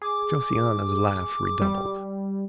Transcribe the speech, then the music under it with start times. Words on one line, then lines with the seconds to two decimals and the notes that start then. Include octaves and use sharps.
Josiana's laugh redoubled.
0.02 G#4 D6
1.61 G3